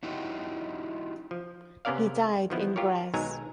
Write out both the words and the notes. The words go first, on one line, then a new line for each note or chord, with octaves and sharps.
He died in Graz.
F#3 D#4 E4 F#4 G4
F3
C3 B3 C#4 A#4 D5 F5
D#3 F3 B3 E4
F4 G4 A#4 C#5
B1 D#3 F#3 G#3 G#5 A#5